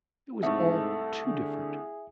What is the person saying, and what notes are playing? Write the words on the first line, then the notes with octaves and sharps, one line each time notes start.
It was all too different.
C2 G#2 A3 A4 E5
D3 G#4